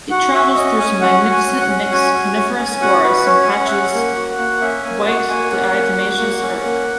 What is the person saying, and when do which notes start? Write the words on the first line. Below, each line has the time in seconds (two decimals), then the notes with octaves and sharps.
It travels through some magnificent mixed coniferous forest and patches white diatomaceous earth.
0.11 F#4 F#5
0.34 F#4 E5
0.56 C#4 D#5
0.78 C#4 G#5
1.01 F#4 F#5
1.23 F#4
1.31 G#5
1.47 C#4
1.61 F#5
1.69 C#4
1.91 F#4 G#5
2.14 F#4
2.36 C#4
2.58 C#4
2.81 F#4 F#5
3.04 F#4 B4
3.26 C#4 C#5
3.44 G#5
3.49 C#4 F#5
3.66 E5
3.71 C#4 F#5
3.94 A#3
4.16 F#4
4.38 A#3
4.61 C#4 E5
4.83 A#3 G#5
5.06 F#4 F#5
5.29 A#3 G#5
5.51 C#4 F#5
5.73 A#3
5.96 F#4
6.18 A#3
6.42 C#4
6.64 A#3